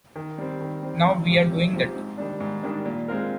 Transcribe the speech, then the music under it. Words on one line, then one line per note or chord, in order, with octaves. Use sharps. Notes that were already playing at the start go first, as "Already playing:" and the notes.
Now we're doing that.
D#3
G3 C4
D#3
G3 C4
G#1
G#2 F3 C4 G4
G#1
G#2 F3 C4 G4
G#2
D#3 G3 D4
G#2
D#3 G3 D4
A#2
G#3 C4 F4 A#4